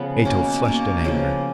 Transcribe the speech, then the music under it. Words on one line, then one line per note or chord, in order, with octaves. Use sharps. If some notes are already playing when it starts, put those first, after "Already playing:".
Ato flushed in anger.
Already playing: C#3 F3 B3
B2 A#3 C#4
B2 A#3
C#3 F3 A#3